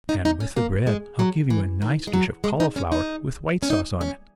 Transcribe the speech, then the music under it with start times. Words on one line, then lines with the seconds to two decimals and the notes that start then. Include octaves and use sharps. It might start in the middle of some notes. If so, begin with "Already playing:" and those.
"And with the bread, I'll give you a nice dish of cauliflower with white sauce on it."
0.09 D#4
0.25 D#4
0.40 C#4
0.56 A#3
0.87 G#3
1.19 F#3
1.50 E3
1.82 D#3
2.07 G#3
2.13 F#3
2.44 G#3
2.60 D#4
2.76 C#4
2.92 D#4
3.63 C#4
3.70 D#4
4.01 C#4